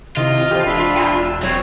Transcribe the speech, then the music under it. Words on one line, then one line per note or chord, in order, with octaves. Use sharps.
I'm like, "Yeah."
C3 D#3 E4 F4 D#5
E3 G4 A4 C5
E1 D4 G4 E5 B5
E6
F#3 C4 C#5